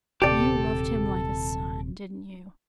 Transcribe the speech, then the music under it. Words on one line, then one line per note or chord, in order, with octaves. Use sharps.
You loved him like a son; didn't you?
D#1 C3 G4 A4 D5